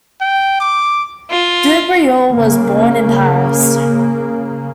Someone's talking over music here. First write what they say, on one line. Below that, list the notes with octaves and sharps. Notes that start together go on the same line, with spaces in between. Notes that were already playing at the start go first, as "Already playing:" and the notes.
Dubreuil was born in Paris.
G5
D6
F4
C#3 A#3